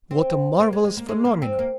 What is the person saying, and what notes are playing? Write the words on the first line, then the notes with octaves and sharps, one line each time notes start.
What a marvellous phenomenon!
C4
A#3
G#3
G#3
A#3
G#3
A#3
C4
A#3